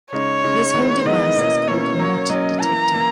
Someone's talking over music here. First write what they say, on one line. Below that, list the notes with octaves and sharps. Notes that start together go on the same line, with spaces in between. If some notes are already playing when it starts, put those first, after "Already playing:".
This whole device is called a Mott-detector.
C#3 G#3 D#4 C#5
C#3 G#3 D#4
D#3 G#3 B3 E4
D#3 G#3 B3 E4 D#5
B2 A#3 C#4 E4
B2 A#3 C#4 E4 C#5
F#3 A#3 C#4
F#3 A#3 C#4 D#5
E3 A#3 E4 A#5
E3 A#3 E4